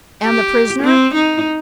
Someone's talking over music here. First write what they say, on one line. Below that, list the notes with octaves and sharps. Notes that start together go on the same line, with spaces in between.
"And the prisoner?"
G4
C4
D#4